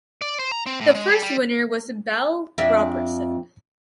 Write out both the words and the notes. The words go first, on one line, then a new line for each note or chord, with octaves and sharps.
The first winner was Belle Robertson.
D5
C5
A#5
C4
A2
G#3
G3
G3
F2 D4 E5